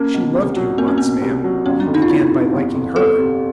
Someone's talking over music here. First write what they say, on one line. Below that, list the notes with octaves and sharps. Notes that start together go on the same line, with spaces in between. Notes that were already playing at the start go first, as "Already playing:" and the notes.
She loved you once, ma'am; you began by liking her.
Already playing: A#3 C#4
B2
C2
F#3
A#3 C4
C#4
B2 C4
C2
F#3
G1 C#4
D4
F2
D#4
F4
G1 E4
C3
G1
F2
G1 A4
C3